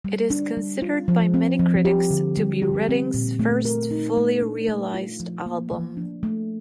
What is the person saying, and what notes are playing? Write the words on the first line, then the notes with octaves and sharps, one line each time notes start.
It is considered by many critics to be Redding's first fully realized album.
G3
D4
G3
F4
F3
C4
F3
G4
D3
G3
G4
C4
A#2
A3
A#4
D#4
A3
D4
A3
F4
F3
A#3
F3
D4
A3